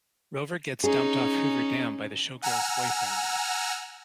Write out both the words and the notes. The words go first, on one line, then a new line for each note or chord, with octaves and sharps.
Rover gets dumped off Hoover Dam by the showgirl's boyfriend.
C#4 D#4 G#4
F#5 G#5 A#5 E6 F6